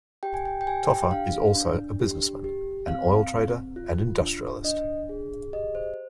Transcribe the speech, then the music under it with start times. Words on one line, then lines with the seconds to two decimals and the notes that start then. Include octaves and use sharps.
Tofa is also a businessman, an oil trader and industrialist.
0.23 G4 G5
0.34 G#5
0.45 G5
0.61 G5
0.67 G4 G#5
0.89 G5
1.11 D4 F5
1.55 D4
2.00 G4
2.44 G4
2.87 C4 F5
3.32 C4
3.76 F4
4.21 D4
4.64 D4 D#5
5.09 G#4
5.53 G4 D#5
5.75 C5